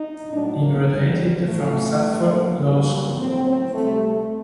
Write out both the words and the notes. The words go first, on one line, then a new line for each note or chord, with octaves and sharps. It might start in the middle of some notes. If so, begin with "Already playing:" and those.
He graduated from Suffolk Law School.
Already playing: D#4
A2 F#3 D4
A#3
F#2 D3 G3
A2 F#3 A3
G2 D#3 F#3
A#3
G2 F#3
A2 F#3 C4
C4
D2 C3 G3 A3
A3